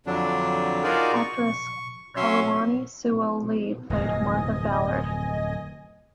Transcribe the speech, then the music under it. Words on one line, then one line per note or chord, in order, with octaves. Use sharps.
Actress Kaluani Sewell Lee played Martha Ballard.
F2 D3 F#3 D4
D#4 F4 F#4 G#4 A#4 D5
C#6
F#3 C#4 C#5 E5 C6
D1 F2 C3 D#5 G#5 A#6